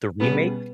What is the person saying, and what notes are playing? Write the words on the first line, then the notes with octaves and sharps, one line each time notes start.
the remake
B2 G3 B3 C#4 G#4